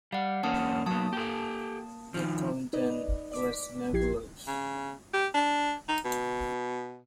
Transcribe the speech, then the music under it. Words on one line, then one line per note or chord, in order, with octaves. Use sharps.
The content was nebulous.
G3 F5 F#5
E2 A#3 C#4 F#5 A5 D#6
F#3 A#3 B3 A5 D#6
G4 A4
D#3 F3
D#4 B4 D5 D#5
D5 D6 B6
A#1 F3 E4 G4 G#6 C7
C#3
G4
D4
D#4
B2